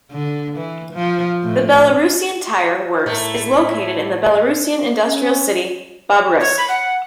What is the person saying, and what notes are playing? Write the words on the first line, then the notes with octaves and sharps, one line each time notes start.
The Belarusian tyre works is located in the Belarusian industrial city Babruysk.
D3
E3
F3
A2
A2 A3 E4 A#4
C#4
C#5
B5
F#5